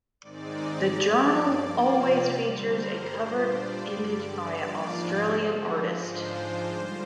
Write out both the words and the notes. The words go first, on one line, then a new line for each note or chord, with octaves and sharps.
The journal always features a cover image by an Australian artist.
G#2 D#3 G#3 C4 D#4 D5
G2 F3 A#3
C3 F3 A#3 F4
G2 D3 G3 C5
A#4
A#2 G3 D4 F4 C5
D5
G2 D3 G3
G#2 F3 A#3 D4 F4 D5
D3 F3 G#3
G#2 F3 G#3 D4 F4 C5
D3 G3 A#3 F4